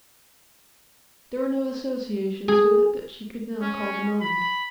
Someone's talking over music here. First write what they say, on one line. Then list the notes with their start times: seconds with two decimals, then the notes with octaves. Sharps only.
There were no associations with it that she could now call to mind.
2.48 G#4
3.61 C#4
4.21 B5